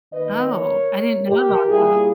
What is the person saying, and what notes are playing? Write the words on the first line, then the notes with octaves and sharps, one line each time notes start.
Oh, I didn't know about that.
D#3 A#3 B4 D#5
A#4 C#5
G4 A#4
A#2 G3 A#3 E4 G#4